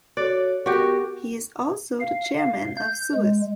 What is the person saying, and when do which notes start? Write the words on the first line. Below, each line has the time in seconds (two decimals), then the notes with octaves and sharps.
He is also the chairman of Suez.
0.17 F#4 A4 C#5 D5
0.66 B3 F#4 G4 A4 A#4
2.00 F5
2.38 F5
2.76 G6
3.15 G#3